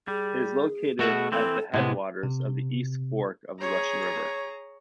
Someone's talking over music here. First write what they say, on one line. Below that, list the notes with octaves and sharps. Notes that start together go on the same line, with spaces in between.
It is located at the headwaters of the East Fork of the Russian River.
G3 G#4
B2 A3 F#4 G#4 E5 F#5
E3 C4 A4
A2 C3 G#3 B3 F#5
C3
G#4 C#5 A#5